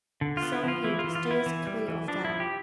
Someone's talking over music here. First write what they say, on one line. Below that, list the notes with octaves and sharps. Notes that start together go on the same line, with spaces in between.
So he steers clear of them.
D3
F4
B3
E4
F3 F4
E3 E4
F4
E3
F4
B3
E4
E3
G3
E3
F3 D4
F3 E4
G4